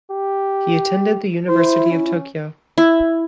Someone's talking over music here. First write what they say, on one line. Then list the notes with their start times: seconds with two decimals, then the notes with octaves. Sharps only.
He attended the University of Tokyo.
0.11 G4
1.48 E4 C5
1.91 C#4
2.78 E4